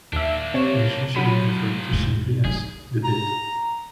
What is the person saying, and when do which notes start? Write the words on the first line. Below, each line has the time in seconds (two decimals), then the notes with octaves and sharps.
It is usually referred to simply as the "bid".
0.13 D#2 A#3 D4 E5
0.54 C3 C#5 E7
1.15 C3 F3 F#3 B5 D#7
1.92 E2 G#2
2.45 D#3 G#4
3.04 A#5